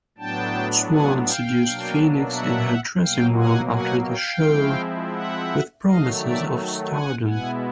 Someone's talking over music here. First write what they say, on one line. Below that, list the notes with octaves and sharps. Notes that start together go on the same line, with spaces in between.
Swan seduces Phoenix in her dressing room after the show with promises of stardom.
A2 F#3 B3 D4 G5 A5
F#5 G#5
F5 G5
B2 F#3 A#3 D4
E5 F#5
B2 F#3 A#3 F5 G5
F#5 G#5
F#5 G#5
F5 G5
F3 G#3 C4 E4
E5 F#5
D#3 F#3 A3 D#5 F5
D5 E5
F#5 G#5
B2 G#3 B3 E4 F#5 G#5